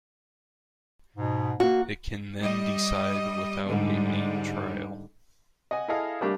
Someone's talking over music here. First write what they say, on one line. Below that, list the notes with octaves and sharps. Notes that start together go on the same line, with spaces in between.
It can then decide without a main trial.
G#2 B2
A#3 F#4
G3 D#5
G#2 D3 G3
D#5 F#5 G#5
E4 G#4 A4 D#5 F5
G3 A3 A#3 D4 G4